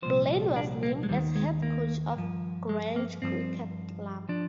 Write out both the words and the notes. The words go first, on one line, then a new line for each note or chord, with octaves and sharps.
Blain was named as head coach of Grange Cricket Club.
C2 A#2 F3 C5
D4
A#3
G#3
D#2 D#3 G3
G#3
A#3
G2 F3
G#3
A#3
G2 F3 C4
F3 D4